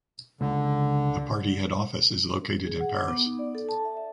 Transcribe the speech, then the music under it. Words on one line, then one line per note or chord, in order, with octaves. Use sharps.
The party head office is located in Paris.
C#2 D3
G#4
F#5
D6
B3
D#4
D5
A4
A5
E5
E5